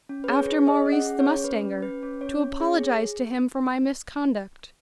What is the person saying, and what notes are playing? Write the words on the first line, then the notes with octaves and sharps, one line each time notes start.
"After Maurice the mustanger--to apologise to him for my misconduct."
C#4
B4
G#4 C#5
G#4
G#4 D#5
C#4
F#5
G#4
C#5
C#4
C#4 B4
C#4
C#4 B4
C#4
C#4 C#5
C#4
G#4 C#5
G#4